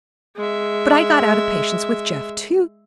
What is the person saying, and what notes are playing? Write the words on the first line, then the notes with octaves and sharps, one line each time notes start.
But I got out of patience with Jeff, too.
G#3 E5